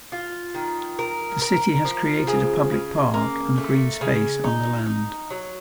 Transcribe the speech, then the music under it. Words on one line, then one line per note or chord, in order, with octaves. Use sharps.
The city has created a public park and green space on the land.
F4
D#3
A#4
A#4
F3
C#3
C#3
A#3
A3
C#3
D#4
D#4
F#3